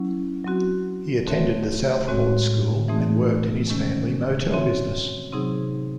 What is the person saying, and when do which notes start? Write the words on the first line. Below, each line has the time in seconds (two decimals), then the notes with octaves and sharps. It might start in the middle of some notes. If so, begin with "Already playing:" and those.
He attended The Southport School and worked in his family motel business.
Already playing: F#3 C#4 E4
0.45 F#3 C4 F#4
1.26 A3 C4 F#4 C#5 E5
2.07 A2 G#3 C4 F#4 C#5
2.88 E3 A3 C4 D#4 G#4
3.70 C3 D#3 G#3 C#4
4.51 C4 F#4 C#5 E5
5.33 C3 F#3 C4 D#4 G#4